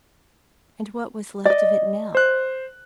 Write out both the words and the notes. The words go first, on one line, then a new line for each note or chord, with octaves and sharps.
And what was left of it now?
D5 D#5
C5 F#6